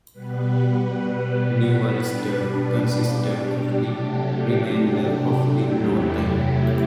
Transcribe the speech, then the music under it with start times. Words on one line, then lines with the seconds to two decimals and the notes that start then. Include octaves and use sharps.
New Ulster consisted of the remainder of the North Island.
0.13 B2 G3 B3 B4
1.96 B2 G3 D4
2.89 G4
3.81 C3 F#3 A3 D4
5.65 E2 C3 F#3 A3 E4